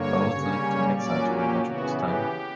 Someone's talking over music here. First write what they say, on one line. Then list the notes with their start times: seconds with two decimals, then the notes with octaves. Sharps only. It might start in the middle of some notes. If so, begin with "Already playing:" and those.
Both lived in exile during much of this time.
Already playing: G2 D3 A#3 C#5
0.26 C#3 G3 A#3 C#4
0.94 A#2 F#3 A#3 C#4 D5
1.27 G4
1.61 C#3 E3 B3 F#4
1.95 G4